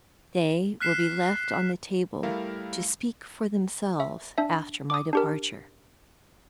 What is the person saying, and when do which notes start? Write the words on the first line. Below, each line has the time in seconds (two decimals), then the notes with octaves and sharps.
They will be left on the table, to speak for themselves after my departure.
0.80 F6 F#6 B6 C7 E7
2.23 G3 A3 E4 A#4 F5
4.00 E5
4.38 D4 E5
4.90 D6 D#6
5.13 D4 G4 A#4